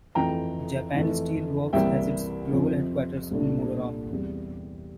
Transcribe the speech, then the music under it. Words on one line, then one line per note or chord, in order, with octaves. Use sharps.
Japan Steel Works has its global headquarters in Muroran.
F2 E3 A3 G5 A#5
F2 E3 A3
C2 C3 E3 G3 A#3 E5 G5
F2 C3 F3 C4
C2 A#2 A3 D4
E2 C3 G3